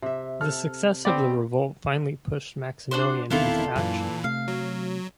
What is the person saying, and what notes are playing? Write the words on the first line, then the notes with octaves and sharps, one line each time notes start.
The success of the revolt finally pushed Maximilian into action.
C3 E5
A4 F6
B3 C4 G4 D5
D4 F#4 C5
E1 D#3 B3 C4 D4 E4 F4 A4
F#2 A#2 E3
C3 A3 F5
F#3